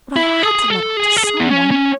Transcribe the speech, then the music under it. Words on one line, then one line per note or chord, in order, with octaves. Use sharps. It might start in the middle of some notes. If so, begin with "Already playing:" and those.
But I had to let off to some one.
E4
G#4
A4
G#4
A4
G#4
B3
C#4
C#4